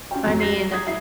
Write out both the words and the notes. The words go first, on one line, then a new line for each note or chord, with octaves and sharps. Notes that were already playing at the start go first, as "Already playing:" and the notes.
I mean,
F#3 C#4 F4 G4 G5
F2 F#3 A3
A#6 C7
D#6 G#6
E4 E5 C7